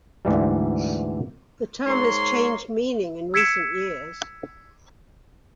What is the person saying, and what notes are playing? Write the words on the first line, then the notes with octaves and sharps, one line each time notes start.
The term has changed meaning in recent years.
D2 G#2 E3 G3
G#2 A#3 C#5 C6
E6 G#6 B6 C#7 D7 E7